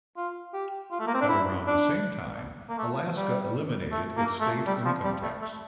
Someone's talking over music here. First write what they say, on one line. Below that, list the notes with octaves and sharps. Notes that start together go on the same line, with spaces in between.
At around the same time, Alaska eliminated its state income tax.
F4
G4
F4
A3
A#3
C4
D4
E4
D4
A#3
A3
G3
A3
A#3
A3
G3
F3
G3
A3
A3